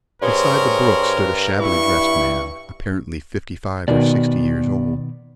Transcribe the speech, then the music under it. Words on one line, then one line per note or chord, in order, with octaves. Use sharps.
Beside the brook stood a shabbily-dressed man, apparently fifty-five or sixty years old.
G2 G#4 A#4 C5 C#5
E4 C#6
B2 D#3 B3 D5